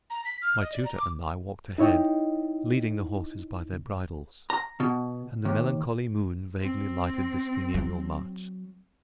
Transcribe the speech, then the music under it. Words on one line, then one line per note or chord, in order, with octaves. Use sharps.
My tutor and I walked ahead, leading the horses by their bridles, and the melancholy moon vaguely lighted this funereal march.
A#5
B6
F6
D#5
D5
A#5
D6
D#4 E4 C#5 D#5 G5
A#5
B2
D#2
C4
F#3